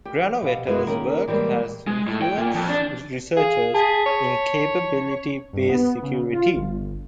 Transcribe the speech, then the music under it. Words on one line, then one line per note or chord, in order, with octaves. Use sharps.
Granovetter's work has influenced researchers in capability-based security.
G4
B2 G4 F5
F#2 G#3 E4
D#3 A#3 C#4 A#4
E3 G3 G#3 A#3
G#3
A2
G5
A#2
F2
D4
G#4 F5
G#4 A5 B6
C#5
G2
B3
C#3
F4
G1